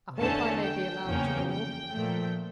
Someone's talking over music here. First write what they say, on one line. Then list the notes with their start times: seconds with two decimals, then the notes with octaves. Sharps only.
'I hope I may be allowed to go?'
0.19 E2 D3 A3 C#4 A5
0.63 G5
1.06 E2 C#3 F3 A#3 C#4
1.50 G5
1.93 A#2 F3 A3